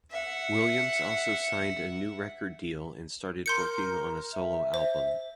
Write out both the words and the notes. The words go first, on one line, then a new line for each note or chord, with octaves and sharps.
Williams also signed a new record deal and started working on a solo album.
E5 F#5
A#4 C6 G6 C#7
E5
C5